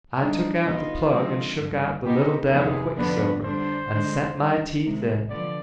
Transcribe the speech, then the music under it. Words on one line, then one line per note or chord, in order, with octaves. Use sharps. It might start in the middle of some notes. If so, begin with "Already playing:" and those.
I took out the plug and shook out the little dab of quicksilver, and set my teeth in.
B2 G3 D4 D#4
B2 B3 D#4 F4
D3 F3 G#3 C4 D#4
G2 D3 G3
B2 B3 D#4 G4
F2 C3 D#3 B3 G#4
F2 D3 F3 B3 D4 B4
D3 G3 D4 C5
D3 G#3 D4
D#3 G3 D4
C3 D#3 G#3
D3 F3 B3 D5